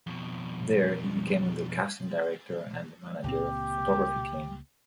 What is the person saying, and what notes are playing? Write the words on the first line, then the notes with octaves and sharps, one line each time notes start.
There he became the casting director and the manager of the photography team.
F2 B2
C#2 A#2 C4 G4